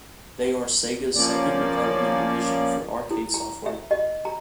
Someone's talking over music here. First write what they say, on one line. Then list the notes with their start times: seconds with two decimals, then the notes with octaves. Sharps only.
They are Sega's second development division for arcade software.
1.15 F3 A#3 C#4 D5
3.11 E4
3.34 A#5
3.66 E5
3.91 D#5
4.25 A#5